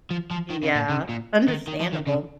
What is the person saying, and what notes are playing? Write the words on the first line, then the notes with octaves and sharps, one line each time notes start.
Yeah, understandable.
F3
F3
D#3
C#3
A#2
C#3
A#2
D#3
D#3
F3
D#3
C#3